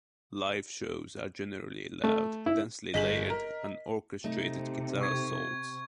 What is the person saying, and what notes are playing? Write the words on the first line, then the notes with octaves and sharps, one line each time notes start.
Live shows are generally loud, densely layered and orchestrated guitar assaults.
A3
E4
G1 G#4 D#5 B6 F#7
A#4
C3 A3 D#4
C#6 G#6